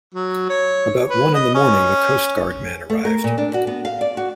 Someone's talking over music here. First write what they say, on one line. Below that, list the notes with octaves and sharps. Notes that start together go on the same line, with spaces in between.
About one in the morning the coastguard man arrived.
F#3
C#5
B4
D#5
C#4
A3
A#4
A#2
D4
F#4
B3
F5
D5
F#4